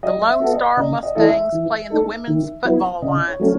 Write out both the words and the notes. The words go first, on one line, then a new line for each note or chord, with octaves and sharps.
The Lone Star Mustangs play in the Women's Football Alliance.
F#3 D#5
E5
B3 F#4 A4
D#5
C#3 D#5
D#5
E3 A3 E4 A4 D#5
E5
E3
A3 D#4 A4
D#3
F#3 B3 E4
C#3 D#5
C#5
F#3 A3 C#4